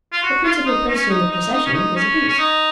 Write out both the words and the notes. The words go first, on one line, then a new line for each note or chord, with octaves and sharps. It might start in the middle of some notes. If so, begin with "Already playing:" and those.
The principal person in the procession was a priest.
F4
F#4
F4
D#4
C#4
D#4
D#4
D#4
C#4
D#4
C#4
C#4
D#4